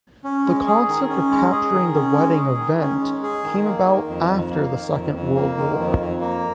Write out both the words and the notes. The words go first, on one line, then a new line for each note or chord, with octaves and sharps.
The concept of capturing the wedding "event" came about after the Second World War.
C#4
G#3
G#4
D#3
C#4
G#3
G#4
D#3
C#4
G#3
G#4
D#3
C#4
G#3
G#4
D#3
A#3
D#3
F2
F2
A#3
D#3
F2
F2
A#3
D#3
F2
F2
A#3